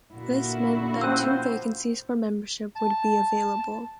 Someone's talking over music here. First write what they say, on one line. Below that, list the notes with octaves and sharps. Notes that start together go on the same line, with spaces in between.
This meant that two vacancies for membership would be available.
A#2 D3 E4 F#4
F3 C#4 C5 E6
A5